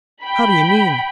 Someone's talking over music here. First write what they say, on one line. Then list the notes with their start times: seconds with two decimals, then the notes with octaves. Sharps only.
"How do you mean?"
0.24 G5 B5